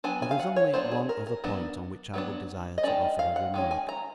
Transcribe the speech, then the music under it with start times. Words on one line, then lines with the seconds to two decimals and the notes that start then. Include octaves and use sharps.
There is only one other point, on which I would desire to offer a remark.
0.04 F#3 B3 D4 G#5
0.22 G#5
0.31 F5
0.39 F#5
0.56 C#5
0.74 F#3 B3 D4 C5
0.92 G#4
1.09 A#4
1.27 A#4
1.44 F#3 B3 D4
2.14 F#3 B3 D4
2.78 D#5
2.83 D#3 G#3 C#4 D5
3.01 D#5
3.19 F5
3.36 F#5
3.54 D#3 G#3 C#4
3.71 G#5
3.89 A#5